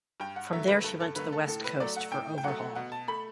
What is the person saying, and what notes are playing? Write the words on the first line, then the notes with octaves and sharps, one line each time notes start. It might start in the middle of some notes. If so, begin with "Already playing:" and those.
From there, she went to the West Coast for overhaul.
G2 G5
F#5
D3 F#3 A3 E5
B4
G2 A4
A4
D3 F#3 A3 B4
A4
A2 A4
B4
F#3 A3 D5
F#5
A2 G5
G5
F#3 A3 F#5
B2 F#5
A5
A3 B5